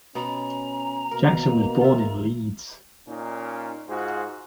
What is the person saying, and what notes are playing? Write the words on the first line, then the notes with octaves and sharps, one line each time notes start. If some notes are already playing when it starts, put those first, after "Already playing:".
Jackson was born in Leeds.
B2 C#4 A#5
B2 A#3 A#4
F4 E5
A#2 C#4 D#4
G#2 F4 F#4 G#4 C5